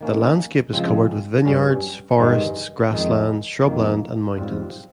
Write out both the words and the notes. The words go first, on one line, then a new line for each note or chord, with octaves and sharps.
The landscape is covered with vineyards, forests, grasslands, shrubland and mountains.
D#3 A#3 C#4
C#3 F3 G#3 C4
G2 G3 C#4
G2 D#3 G#3
F2 D#3 G#3 D#4
F2 D#3 A#3
G#2 G3 C4 F4